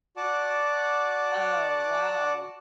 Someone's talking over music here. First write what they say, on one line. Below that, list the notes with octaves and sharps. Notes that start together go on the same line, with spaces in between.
Oh, wow.
F#4 D5 F#5 A5 D6